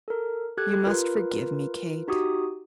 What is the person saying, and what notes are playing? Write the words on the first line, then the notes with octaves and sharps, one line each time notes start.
You must forgive me, Kate.
A4 A#4
G4 A4 F#6 G#6
F4 A#4 B4
D#4 F#4 G4 D#6